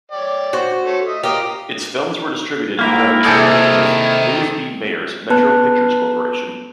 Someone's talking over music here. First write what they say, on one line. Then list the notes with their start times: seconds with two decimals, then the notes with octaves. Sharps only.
Its films were distributed through an agreement with Louis B. Mayer's Metro Pictures Corporation.
0.12 C#5 D5 G5
0.53 F#4 C5
0.86 A3 A4 C#5
1.06 D#5 E5
1.23 F4 G4 A#4 D#5
2.79 G#2 A#3 E4 F4 A#4 G5
3.24 C3 D#3 G#4 A4 D5 G5
5.30 B3 B4 A5 F#6